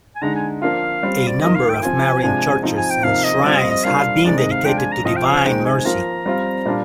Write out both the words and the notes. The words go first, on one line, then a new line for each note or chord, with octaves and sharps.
A number of Marian churches and shrines have been dedicated to Divine Mercy.
G#5
D3 G#3 D#4 A#5
G#5
F3 A#3 D4 F4 F5
G3 C4 F4
D5
D#3 A#3 F4 D#5
F5
G5
F3 C4 F4 G#5
C3 F3 G#3 D4 G#5
F3 C4 D#4
G#5
G5
C3 F3 A#3 D#4 F5
D#5
G3 C4 F4 D5
D#5
D#5
G3 A#3 D4 F4 F5
C3 D#3 G#3 D#4 D5
D#5
F5
F3 G#3 D4 F4 G5
G#5
A#5
C3 F3 C4 F4 D#5
G5
F5
D#3 G#3 C4 D#4 G5
G#5
F3 A#3 F4 A#5
G3 C4 F4
A#2 G3 D4 F4